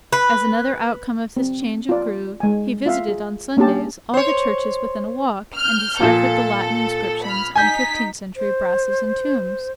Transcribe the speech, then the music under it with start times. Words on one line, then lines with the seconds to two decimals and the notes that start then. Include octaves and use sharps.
As another outcome of this change of groove he visited on Sundays all the churches within a walk, and deciphered the Latin inscriptions on fifteenth-century brasses and tombs.
0.13 B4
1.37 C4
1.89 F4 D5
2.40 G#3 G#5
2.86 F4 E5 F5
3.09 G#4
3.57 A#3 C#4 D4 G4 A5
4.14 C5 C#5
5.55 F6 G6
6.00 A#2 F3 A4
7.24 B5 F6
7.55 D#4 G#5 G6 B6
8.36 C5